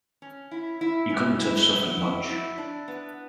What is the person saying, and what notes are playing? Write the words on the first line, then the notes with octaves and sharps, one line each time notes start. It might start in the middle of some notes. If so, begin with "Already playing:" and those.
He couldn't have suffered much.
C#4
E4
E4
C#4
E4
F#3
E4
E4
D4
B3